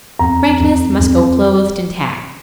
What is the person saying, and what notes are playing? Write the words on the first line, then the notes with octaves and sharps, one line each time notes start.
Frankness must go clothed in tact.
F2 A#5
F2
F2